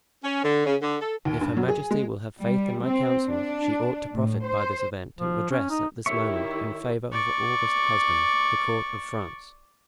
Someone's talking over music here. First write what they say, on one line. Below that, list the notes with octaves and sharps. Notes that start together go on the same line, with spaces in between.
If her majesty will have faith in my counsels she ought to profit by this event to address at this moment, in favor of her august husband, the court of France.
C#4
D3
C#3
D3
A4
D#2
G2
F#3
G#4
G#3
G3
C4
D4
A2
C5
F3
C#4
D#4
D#3 E4 G4 C#5 E5 C#6
D5 C#6